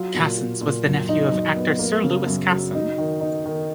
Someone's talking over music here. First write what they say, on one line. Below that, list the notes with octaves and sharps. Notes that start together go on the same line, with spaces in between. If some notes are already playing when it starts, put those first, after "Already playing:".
Casson's was the nephew of actor, Sir Lewis Casson.
Already playing: F#3 F4
A#2
F#3
A#2
F#2
D#4
F#2
B3
A#3
C#3
F#2
F#3
D#4
D#3
D#4
D#3